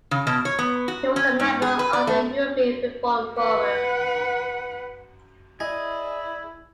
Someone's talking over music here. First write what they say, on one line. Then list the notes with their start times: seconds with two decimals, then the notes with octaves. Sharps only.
He was a member of the European Reform Forum.
0.11 C#3
0.27 B2
0.45 C#5
0.59 B3
0.88 F#4
1.16 C#4
1.40 G#2
1.62 G#4
1.79 B4
1.93 D5
2.07 A3
3.38 B4 F#5
5.60 E4 G#4 D5 D#5